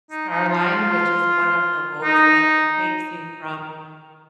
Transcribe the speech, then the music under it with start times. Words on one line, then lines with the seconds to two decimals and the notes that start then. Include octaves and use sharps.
Star Line, which is one of the boats that takes you from
0.11 D#4
0.30 D#4
0.49 F4
2.04 D#4